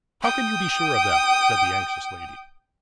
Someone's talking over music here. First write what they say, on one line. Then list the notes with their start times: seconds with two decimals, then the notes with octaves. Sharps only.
"How can you be sure of that?" said the anxious lady.
0.23 G5 D#6